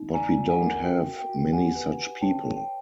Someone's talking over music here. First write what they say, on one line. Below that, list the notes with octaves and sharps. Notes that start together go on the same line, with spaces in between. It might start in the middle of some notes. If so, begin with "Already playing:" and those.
But we don't have many such people.
Already playing: D#4
D5 G#5 A#5
F4
F#5 G#5
A#4
F#4 G5
F#4
G5
F#4
G4 F#5 G#5
B4
B4
C#5 G5 A5
C#5
G5